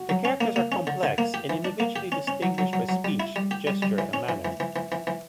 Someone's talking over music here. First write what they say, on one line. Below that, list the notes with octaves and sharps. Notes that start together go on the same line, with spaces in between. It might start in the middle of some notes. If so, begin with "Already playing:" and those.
The characters are complex and individually distinguished by speech, gesture, and manner.
Already playing: F#4
F#3
C#4
A#3
A#3
C#4
D3
D3
A#3
G4
E3
D4
A#3
G4
C#4
C#4
F#3
F#3
F#3
F#3
G3
E4
G3
G4
G3
G3
E3
C#4
E3
E3
E3
E3
E3
E3